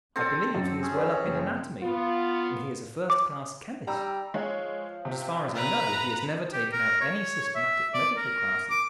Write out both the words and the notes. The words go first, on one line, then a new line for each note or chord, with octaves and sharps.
I believe he is well up in anatomy, and he is a first-class chemist; but, as far as I know, he has never taken out any systematic medical classes.
C4 A4
F#2
C#4 G#4
B4
F#1
B3 F4
D6
G3 A#5 E6
F3 G#3 C#5
C3
B4 A#5
G4
A#4
C#5
E5
D5
A#4
D6